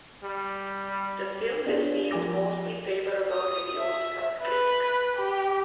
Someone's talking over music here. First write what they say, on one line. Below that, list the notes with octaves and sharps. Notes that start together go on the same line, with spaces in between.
The film received mostly favorable reviews from critics.
G3
B3 D4 F4 G4 G#4 C#5
F3 G4 A#4 G#5 D6 A#6
D#6
E5
B4
G4